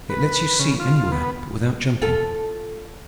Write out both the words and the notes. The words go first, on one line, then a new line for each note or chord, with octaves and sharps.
It lets you see anywhere, but without jumping.
B4
C#3
F4
B3
F4 A4